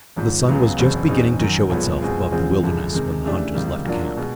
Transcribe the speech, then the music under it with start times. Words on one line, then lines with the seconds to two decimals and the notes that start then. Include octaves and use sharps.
The sun was just beginning to show itself above the wilderness when the hunters left camp.
0.16 G#1 G#2 F3
0.48 C#2 C#3 F#3 B3
0.78 F#1 E2 B2 G#3 C4
1.08 E2 B2 G#3 C4 D#4
1.39 F#2 D#3 F#3
1.70 B1 A#2 F3 G#3 B3
2.01 B2 G#3 C4 F4 G#4
2.31 E2 C#3 F3 G#3 C4
2.63 G1 F2 C3 F3 G#3
2.93 C3 D#3 G#3
3.24 C#3 E3 A3 D4 G4
3.54 C#2 C3 D#3 G3
3.85 A#2 F#3 A#3 D4 F4
4.17 B2 G#3